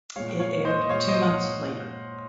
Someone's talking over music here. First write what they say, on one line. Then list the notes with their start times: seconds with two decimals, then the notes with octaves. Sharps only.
It aired two months later.
0.16 A#2 G#3 C#5 F5
0.40 C#5 F5
0.65 C5 D#5
0.84 D#5
0.89 A#2 G#3 C#5 F5
1.08 C5 D#5
1.21 F#5
1.27 C#5 F5